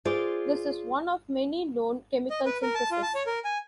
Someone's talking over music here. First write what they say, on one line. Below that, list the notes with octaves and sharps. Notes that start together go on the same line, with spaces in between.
This is one of many known chemical syntheses.
F4 G#4 C5 D5
D#5
B4
A#4
A5
F4
A5
C#5
A#4
G#5